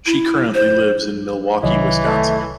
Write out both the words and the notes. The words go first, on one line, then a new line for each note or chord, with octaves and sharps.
She currently lives in Milwaukee, Wisconsin.
E4
C5
C2 D#3 E3 F#3 C#5 D#5
A3